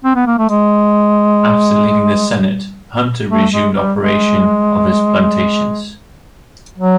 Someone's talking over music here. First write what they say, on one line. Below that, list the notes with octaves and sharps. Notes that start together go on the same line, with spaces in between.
After leaving the Senate, Hunter resumed operation of his plantations.
C4
B3
A#3
A3
G#3
A3
G#3
G3
G#3
F#3